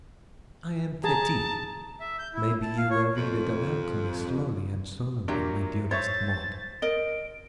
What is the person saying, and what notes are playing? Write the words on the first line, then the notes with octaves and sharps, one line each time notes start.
'I am fatigue--maybe you will read it aloud to me slowly and solemnly, my dearest Maud?'
G#4 A5 A#5
E5
G6
E4
A5
F5
C#5
F2
A#2 F#3 A#3 D4 G4 E5
C5 C#5 E5 C#6 A6
A#4 D#5 D7